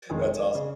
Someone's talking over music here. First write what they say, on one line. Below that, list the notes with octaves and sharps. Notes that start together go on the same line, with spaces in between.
that's awesome.
F1 F2 D#3 G#3 G#4
C#3